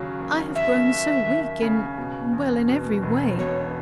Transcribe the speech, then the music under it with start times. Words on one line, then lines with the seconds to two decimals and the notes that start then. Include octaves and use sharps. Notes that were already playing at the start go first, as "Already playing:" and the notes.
I have grown so weak in--well, in every way.
Already playing: D#2 C#3 F#3
0.21 D#2
0.55 D#2 E5
0.91 D#2
1.26 D#2
1.62 C#3
1.98 B2
2.33 E2
2.68 B2
3.03 E1
3.38 B2 C#5